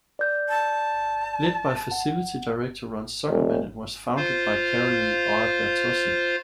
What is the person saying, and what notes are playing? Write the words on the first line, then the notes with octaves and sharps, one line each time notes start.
Led by Facility Director Ron Zuckermann and was founded by Carolyn R. Bertozzi.
D5 G6
A5
F#5
E1
F4 C5 F5